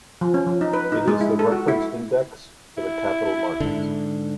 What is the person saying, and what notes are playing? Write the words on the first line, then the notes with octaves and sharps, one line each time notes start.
It is the reference index for the capital markets.
F3
C#4
F3
D#4
B4
D#4
G#3
E4
A4
F#4
E4
E4
G#2 D3